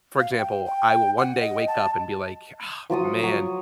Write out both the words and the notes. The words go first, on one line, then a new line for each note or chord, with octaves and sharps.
For example, I will one day wake up and be like, "Ah, man,
F5
G5
G5
F#5
D#5
A5
F3 F#3 F4 D#6
F#3 C#5